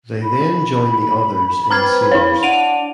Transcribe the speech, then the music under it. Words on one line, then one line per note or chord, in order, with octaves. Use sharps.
They then join the others in the sewers.
B5
C4 B4 A#5 F6 G#6
E4 C#5
D4 F#5 D7 D#7 F7